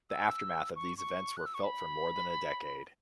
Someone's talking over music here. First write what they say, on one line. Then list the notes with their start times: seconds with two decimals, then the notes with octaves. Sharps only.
The aftermath of these events were felt for more than a decade.
0.10 E6
0.76 C#6
0.98 C#6
1.37 F#6
1.46 E6
1.54 C#6
1.64 B5